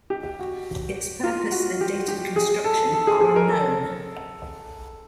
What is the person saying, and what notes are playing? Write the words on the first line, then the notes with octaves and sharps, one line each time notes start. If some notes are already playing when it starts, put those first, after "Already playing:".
Its purpose and date of construction are unknown.
G4
F#4
F4
F#4
G4
G4
G#4
A4
A4
G#4
G#4
A#4
A4